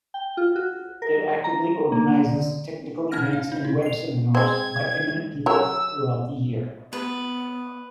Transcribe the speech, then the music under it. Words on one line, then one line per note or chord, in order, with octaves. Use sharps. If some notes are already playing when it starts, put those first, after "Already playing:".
It actively organizes technical events and web seminars by eminent people throughout the year.
G5
F4
F#4
A#4
A#5
A#3
D3
C#4 D#4 F#5 F6 A#6
F5
D#4
E4
C7 F7
G#3 C4 G#6
F#3 C#4 A#4 E6
B3 B4